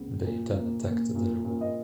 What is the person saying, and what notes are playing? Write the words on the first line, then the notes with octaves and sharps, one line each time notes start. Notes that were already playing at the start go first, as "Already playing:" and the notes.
They then attacked the Luo.
Already playing: C#2 C#3 B3
A#2
A#3
A#3
A#2
A#2
D#5